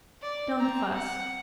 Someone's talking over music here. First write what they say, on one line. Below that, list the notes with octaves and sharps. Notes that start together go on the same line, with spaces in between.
Don't fuss.
D5
C4 A#5
F#5